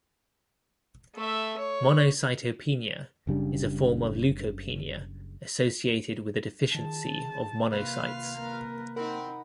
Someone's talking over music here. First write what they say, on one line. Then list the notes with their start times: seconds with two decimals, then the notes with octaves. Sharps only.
Monocytopenia is a form of leukopenia associated with a deficiency of monocytes.
1.15 A3 E5
1.59 C#5
3.27 F#1 C#3 G3 D4
6.75 D#3 G#4 A5
7.71 C3 A#3 F4 B4 F5
8.37 A#3 A#4 B4
8.96 C4 D#4 A#4 F#5 B5